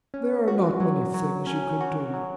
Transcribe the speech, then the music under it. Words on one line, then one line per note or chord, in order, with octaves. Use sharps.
"There are not many things you could do."
C#4
F#4
F#3
F#3
C#4
F#4
F#3